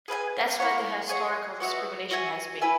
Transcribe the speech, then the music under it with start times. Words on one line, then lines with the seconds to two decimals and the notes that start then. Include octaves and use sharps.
That's where the historical discrimination has been.
0.08 G#4 B4 E5 G#5
0.59 E4 C#5 F#5
1.09 G#4 C#5 F#5
1.60 B3 F#4 C#5 E5
2.11 F#4 E5 G#5
2.61 E4 B4 E5 G#5